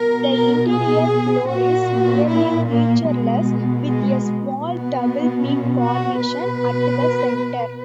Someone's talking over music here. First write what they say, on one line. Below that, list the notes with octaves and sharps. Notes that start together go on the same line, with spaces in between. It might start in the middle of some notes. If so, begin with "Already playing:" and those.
The interior floor is nearly featureless, with a small double-peak formation at the center.
Already playing: B2 A#4
A#4
G#4
A#2 F#4
E4
A#3
B2 G#3
G#3
B2 B3
C#4
F#4
B2 B4